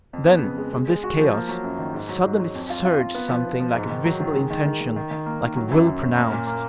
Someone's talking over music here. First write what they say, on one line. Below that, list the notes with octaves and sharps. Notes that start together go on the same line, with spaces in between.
Then, from this chaos, suddenly surged something like a visible intention, like a will pronounced.
F2
B3
C#3
G#3
G#3
G#3
F#4
F3
A#3
F#3
F#2
D#3
G#2
F#3
G#2
F#3
F2
F4
F4
F4
B3
F3
B3
F3
G#2
D#3
F#3
D#3
G#3
D#3
D#3
D#3
D#3
D#3
A#3
D#3
F#3
F#2
F#2
C#4
A#3
A#2
A#3